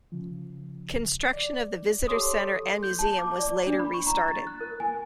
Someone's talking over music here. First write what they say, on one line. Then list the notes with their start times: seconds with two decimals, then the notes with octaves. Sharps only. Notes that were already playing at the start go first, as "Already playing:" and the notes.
Construction of the visitor center and museum was later restarted.
0.12 C#3 F3
1.33 D5
2.08 G4 A4 C#5 C6 D6 D#6
2.83 G6
2.99 A5
3.19 D6
3.39 D5
3.67 D4
3.79 B5
3.94 C#6
4.06 A#5
4.28 A6
4.47 F#6
4.61 A#4
4.80 G#5